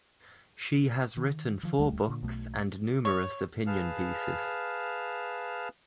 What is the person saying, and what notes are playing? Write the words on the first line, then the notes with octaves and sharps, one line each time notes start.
She has written four books and numerous opinion pieces.
D#3
D#3 F3
D#1 C#2 G3 A3
A#2 D3
B1 B2 A3
C#5
G#4 B4 F5 A5 F6